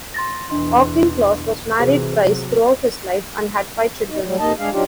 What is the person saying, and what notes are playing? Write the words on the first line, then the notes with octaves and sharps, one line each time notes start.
Auchincloss was married thrice throughout his life and had five children.
C6 A6 A#6
E2 B2 E3 D4 D#5 C6
C3 E3 F#4 G#4 C5
C3 F#3
F#2 B2 D#4
A2 F#3 G3
F2 C3 A#3 D#4 D#5 A5
G2 G#3 D4 G#4 F5
F#3 D4 D#4 F4 G4